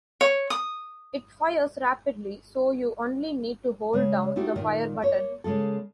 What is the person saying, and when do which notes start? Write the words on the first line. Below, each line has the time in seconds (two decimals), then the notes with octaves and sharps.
It fires rapidly, so you only need to hold down the Fire button.
0.21 C#5
0.50 D#6
3.93 C#3 G#3
4.36 A3 D#4 E4 F#4 G4
4.56 A#2 D#3 A#4
5.02 A#3 C#5
5.44 C#3 G#3 A#3 A4